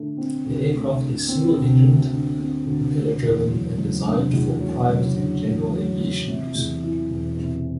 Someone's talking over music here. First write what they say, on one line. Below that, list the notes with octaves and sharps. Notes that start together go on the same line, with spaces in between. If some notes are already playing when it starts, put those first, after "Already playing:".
The aircraft is single-engined, propeller driven and designed for private and general aviation use.
Already playing: D3 A3
C4
D2
A3
D3
C4
D2
A3
D3
C4
D2
D3
E2
F#3
F#1
D3
E2
F#3
F#1
D3
E2
F#3
F#1
C3
E2
E3
E1
C3